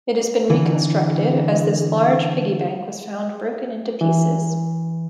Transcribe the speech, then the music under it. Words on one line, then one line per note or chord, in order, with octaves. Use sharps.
It has been reconstructed, as this large piggy bank was found broken into pieces.
D3 E3
E3